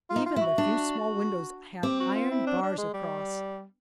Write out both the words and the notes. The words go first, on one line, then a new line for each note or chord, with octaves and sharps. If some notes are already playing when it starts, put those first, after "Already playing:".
Even the few small windows had iron bars across.
F4
D#4
F4
E4
F#4
D4
C4 G4
F#4
F4
E4
D4
D4
G#3
G3